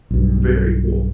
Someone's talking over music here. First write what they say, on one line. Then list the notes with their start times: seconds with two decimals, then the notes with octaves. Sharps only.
Very cool.
0.11 B1 G2